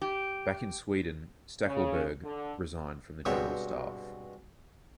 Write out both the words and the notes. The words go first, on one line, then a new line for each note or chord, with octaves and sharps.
Back in Sweden Stackelberg resigned from the General Staff.
G4
C#3
D3
G2 B2 G#3 C4 C#5 E5